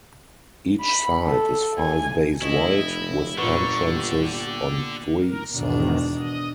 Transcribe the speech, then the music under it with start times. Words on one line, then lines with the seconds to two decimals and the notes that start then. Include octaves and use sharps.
Each side is five bays wide, with entrances on three sides.
0.81 B5
1.28 A4
1.79 G#5
2.42 F1 E4 C#5 D#5
3.38 G1 A#2 D3 B3 C#6
3.98 G4
5.21 A#4
5.53 E2 G#2 B2 D#3 D4
6.16 D#5